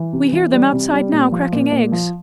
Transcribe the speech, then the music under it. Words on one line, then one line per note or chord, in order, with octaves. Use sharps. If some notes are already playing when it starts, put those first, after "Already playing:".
We hear them outside now cracking eggs.
Already playing: E3
C3
E3
G3
C3
G3
A#2
F3
A#2
A#2
F3